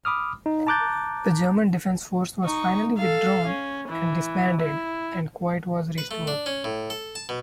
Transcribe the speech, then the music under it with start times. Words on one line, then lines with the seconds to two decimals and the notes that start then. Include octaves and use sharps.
The German defense force was finally withdrawn and disbanded and quiet was restored.
0.05 B5 D6 D#6 F6
0.46 D#4
0.67 A5 A#5 D6 F#6 G6 A6
2.44 D#4 C#6
2.97 A4 F5
3.47 C#4
3.89 E3
4.61 E4
5.98 B4
6.11 A3
6.27 D4
6.46 C#4
6.64 A2
6.90 A4
7.15 A5
7.29 B2